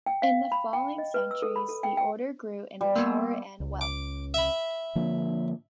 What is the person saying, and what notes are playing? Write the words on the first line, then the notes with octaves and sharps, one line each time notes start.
In the following centuries the order grew in power and wealth.
G5
F5
B5
G5
D#5
B4
E6
A4
B5
A4
G5
G5
G3
A#3 B3
C#2
D6
E5 B5
D3 F3 A#3